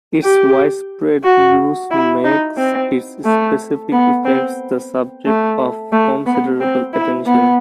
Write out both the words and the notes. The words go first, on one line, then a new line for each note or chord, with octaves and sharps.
Its widespread use makes its specific effects the subject of considerable attention.
G4
F#4
E4
D#4
C4
A3
B3
C4
A3
A3
B3
C4
E4
B3